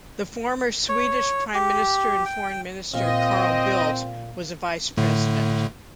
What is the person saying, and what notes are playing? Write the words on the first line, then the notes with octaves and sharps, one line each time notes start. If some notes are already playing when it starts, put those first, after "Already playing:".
The former Swedish Prime Minister and Foreign Minister Carl Bildt was a Vice President.
C#5
G4
G5
A#2 C4 D#5 F5
A2 D3 A3